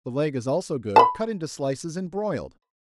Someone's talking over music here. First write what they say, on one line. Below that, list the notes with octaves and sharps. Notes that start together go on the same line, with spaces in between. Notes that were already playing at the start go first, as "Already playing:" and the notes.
The leg is also good, cut into slices and broiled.
A5 B5